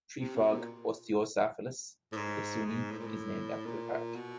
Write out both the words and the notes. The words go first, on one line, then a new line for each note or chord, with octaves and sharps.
Treefrog "Osteocephalus yasuni" is named after the park.
C3
B2
A#2
A2
G#2
G#2
A2
A#2
A2
A#2
B2